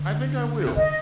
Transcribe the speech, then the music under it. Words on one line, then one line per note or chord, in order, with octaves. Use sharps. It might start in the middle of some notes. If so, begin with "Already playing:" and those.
I think I will.
Already playing: D3
C3
D3 D#5